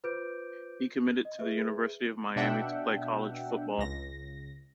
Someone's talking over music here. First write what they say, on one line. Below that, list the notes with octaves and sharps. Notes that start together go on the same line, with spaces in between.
He committed to the University of Miami to play college football.
F4 B4 C5 D6 G6 D7
D#5
G#4 B4 E5
B2 D4 E5 F#5 G5
C#2 A#6